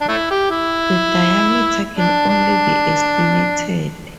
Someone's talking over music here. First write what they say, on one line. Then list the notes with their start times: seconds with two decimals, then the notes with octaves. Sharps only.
The diameter can only be estimated.
0.01 D4
0.09 A3 E4
0.31 G4
0.51 E4
1.97 D4
2.29 D4